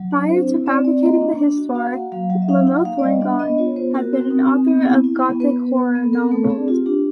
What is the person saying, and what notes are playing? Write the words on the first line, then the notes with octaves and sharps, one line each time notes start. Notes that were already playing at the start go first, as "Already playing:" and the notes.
Prior to fabricating the "Histoire", Lamothe-Langon had been an author of gothic horror novels.
Already playing: F#3
D4
C4 C5
E4
C4 D5
C4 D5
A#3 D#5
D4
D4
F#4
F#4 F5
A#3 F#5
F#3 F5
F#3 F#5
E5
D#4 F5
D#4 F#5
A#3 F5
D5
G3 D#5
D4 E5
B3 D#5
F4 C#5
B3 C5
F#4 A#4
C4
D#4
C4
B3
E4
E4
B3
B3 B4
B3
B3
B3
A4
C4 A#4
A3 A4
C4 G#4
F4 G4
D4 G4